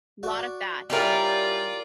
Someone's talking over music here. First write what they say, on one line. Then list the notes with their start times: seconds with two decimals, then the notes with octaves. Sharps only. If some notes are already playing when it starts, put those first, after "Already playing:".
Lot of that.
0.23 F#4 D5
0.90 G3 C#4 E4 F4 G4 A#4 D5